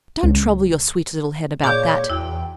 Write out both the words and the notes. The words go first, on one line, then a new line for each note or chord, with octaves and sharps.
'Don't trouble your sweet little head about that.
C#2
A#2 G#4 C#5 D5 F5 D6 G6
E2 E4 F#4 G5